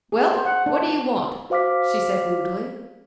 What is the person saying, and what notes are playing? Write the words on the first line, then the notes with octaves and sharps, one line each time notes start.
"Well, what do you want?" she said rudely.
G#4
C5
F#5
D4
F#4 C5 F5 D6 F6 B6